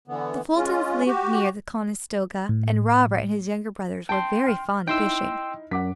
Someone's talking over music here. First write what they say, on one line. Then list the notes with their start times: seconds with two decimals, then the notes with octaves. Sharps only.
The Fultons lived near the Conestoga, and Robert and his younger brothers were very fond of fishing.
0.08 D3 E3 B3
0.55 G#3 C#4 F4
1.06 F#4 G4
2.49 A2
4.09 G5 A5 C6
4.47 F6
4.87 D#4 E4 G5 C6 E6
5.71 F#2 F#5 D6 B6